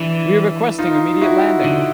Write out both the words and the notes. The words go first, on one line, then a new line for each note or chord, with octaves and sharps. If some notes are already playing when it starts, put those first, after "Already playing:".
We are requesting immediate landing!
Already playing: E3 D4 E4
D#4 F4
E4 F#4
D3